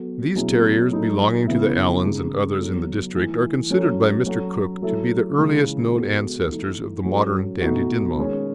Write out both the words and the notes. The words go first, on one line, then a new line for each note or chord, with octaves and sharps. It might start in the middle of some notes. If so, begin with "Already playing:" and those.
These terriers belonging to the Allans and others in the district are considered by Mr. Cook to be the earliest known ancestors of the modern Dandie Dinmont.
Already playing: F#3 B3 F#4 A4
B2 F#3 C#4 E4 G#4
F#3 A3 D#4 A4
C#3 E3 B3 E4
C#3 G#3 D#4
F#3 B3 D#4 A4
E3 A3 D#4 A4
F#3 C#4 F#4 A4
F#3 C#4 F#4 A4
F#3 A3 E4 A4
C#3 E3 G#3 D#4 G#4
G#3 B3 F#4 A4
E3 A3 D#4 A4
F#3 C#4 F#4 A4
B2 A3 D#4 F#4
D#3 G#3 C#4